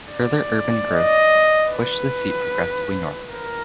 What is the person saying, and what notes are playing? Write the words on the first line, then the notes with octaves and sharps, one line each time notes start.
Further urban growth pushed the seat progressively northwards.
D5
D#5
B4
A#4